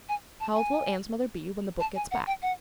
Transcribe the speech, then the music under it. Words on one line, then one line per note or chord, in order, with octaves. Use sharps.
How old will Ann's mother be when the book gets back?
G#5
A5
G#5
A5
G#5
F#5
G5
F#5